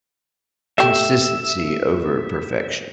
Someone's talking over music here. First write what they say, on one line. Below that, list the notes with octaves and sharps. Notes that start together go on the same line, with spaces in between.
consistency over perfection.
A3 G4 E5